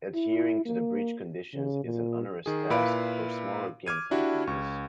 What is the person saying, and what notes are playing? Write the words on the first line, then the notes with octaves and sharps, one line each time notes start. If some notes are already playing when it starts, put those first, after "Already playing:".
Adhering to the breach conditions is an onerous task for smaller game companies.
E4
A#3
C#3
A#2
D#3 G#4
A#2 E4 B4 F5 B5 D7
D6 F6 G#6 D#7
D4 E4 F#4 G4
C#2 C#6